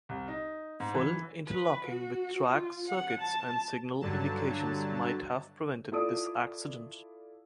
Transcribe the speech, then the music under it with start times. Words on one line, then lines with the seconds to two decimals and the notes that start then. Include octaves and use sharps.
Full interlocking with track circuits and signal indications might have prevented this accident.
0.09 C2
0.28 D#4
0.80 G#2
0.94 E3
1.46 B4
1.87 F#4
2.51 F4
2.89 F#5
3.20 A5
4.01 G2 D3 F#3 A5
5.92 E4 F4 A4 D5 D#6 D7